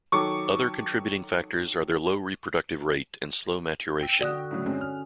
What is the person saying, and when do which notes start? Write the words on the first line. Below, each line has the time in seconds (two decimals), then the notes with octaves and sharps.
Other contributing factors are their low reproductive rate and slow maturation.
0.12 D#3 F#3 A4 C#6 D6
4.01 G5 E6
4.21 D3 F#4 D5 D#6 F#6
4.51 A2 C#3 F#3
4.66 G2 G#3 C4 C#4
4.81 F6